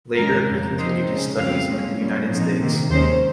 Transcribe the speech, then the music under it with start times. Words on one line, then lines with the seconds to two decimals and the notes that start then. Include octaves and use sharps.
Later he continued his studies in the United States.
0.16 G#2 D#3 G#3 C#4 A#4
0.47 F2 C#3 G3
0.77 C3 F3 C4 D#4 C5
1.07 C#3 G#3 C#4
1.37 F2 C#3 G3 C4 F5
1.69 A#2 G#3 C#4
1.99 A#2 G3 C#4
2.29 A#2 F3 C4 D#4
2.60 C3 D#3 A#3
2.90 D#2 D#3 G#3 C#4 C5